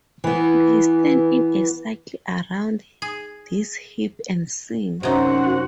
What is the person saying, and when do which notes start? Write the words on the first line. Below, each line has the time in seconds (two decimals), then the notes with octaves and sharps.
They stand in a circle around this heap and sing.
0.24 E3 B3
3.02 G#4
5.03 F#2 C3 D#4 F#4 C5 F#5